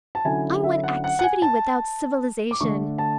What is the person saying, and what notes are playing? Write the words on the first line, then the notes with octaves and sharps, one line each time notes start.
I want activity without civilization.
A5
D3 F#3 C#4 E4 G#5
E5
F#5
F#5
F#5
G#5
A5
D6
D3 A3 D4 C#6
A5